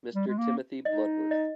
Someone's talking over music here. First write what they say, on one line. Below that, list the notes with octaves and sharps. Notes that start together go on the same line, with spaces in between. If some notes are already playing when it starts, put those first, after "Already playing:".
Mr. Timothy Bloodworth.
G3
G#3
A#3
D#4 D#5
D#5